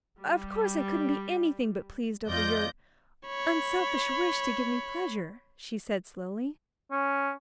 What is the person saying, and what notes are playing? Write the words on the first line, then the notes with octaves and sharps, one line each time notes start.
"Of course I couldn't be anything but pleased over your unselfish wish to give me pleasure," she said slowly.
G3
F2 F4 D5 D#5 G6 A#6
C#5 B5
C#4